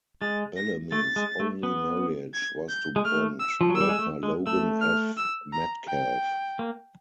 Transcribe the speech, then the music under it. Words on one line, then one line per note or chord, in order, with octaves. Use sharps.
Bellamy's only marriage was to bond broker Logan F. Metcalf.
G#3 A6
A#6
A3 A6
G#3
A3
B3
G#6
G6
G#3
A3 F6
E6
F3
F#3
E6
G3
G#3
A3
G#3
A3 E6
F6
E6
A#5
G5
A#3